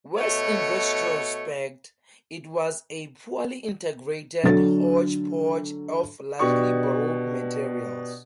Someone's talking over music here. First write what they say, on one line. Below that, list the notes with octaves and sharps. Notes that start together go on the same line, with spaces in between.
Worse in retrospect, it was a poorly integrated hodgepodge of largely borrowed materials.
B2 A3 C#5
D3 F#3 A4 A6
B2 D4 G4 C#6